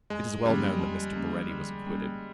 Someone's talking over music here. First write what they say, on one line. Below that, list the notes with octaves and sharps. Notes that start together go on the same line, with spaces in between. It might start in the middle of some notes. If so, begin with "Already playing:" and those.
It is well known that Mr. Baretti was acquitted.
F2 G#3
D3 F3 G3 A#3 C#4
F2
D3 F3 A#3 C#4
D3
G3 A#3 C#4